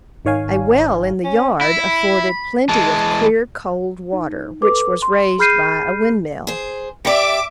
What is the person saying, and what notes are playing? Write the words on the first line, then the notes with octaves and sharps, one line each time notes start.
A well in the yard afforded plenty of clear, cold water, which was raised by a windmill.
G#1 D#3 C#5 F5 G#5
C#4
E4 B5
E3 G#3 A5
D#4
A4 B4 D6
C6
G#4 B5 F6 G6 C7 D#7
G#4 C5
G4 D5 E5 D6